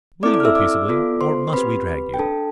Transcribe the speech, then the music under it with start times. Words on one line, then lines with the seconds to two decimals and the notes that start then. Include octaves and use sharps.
"Will you go peaceably or must we drag you?"
0.23 C4 E4 A4 D5 D6
0.34 D5 D6
0.40 F6
0.45 E5 E6
0.55 D5 D6
0.89 B3 F4 A4
1.21 C5 C6
1.47 C6
1.53 C4 G4 B4 B5
2.14 G5
2.18 D4 A4 A5